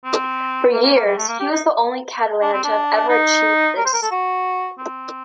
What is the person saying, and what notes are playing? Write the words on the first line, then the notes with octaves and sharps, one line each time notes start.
For years he was the only Catalan to have ever achieved this.
C4
A#3
A#3
A#3
G3
A3
A#3
G4
D#4
D4
C4
D4
D#4
A#4
C5
A#4
A4
F#4
C4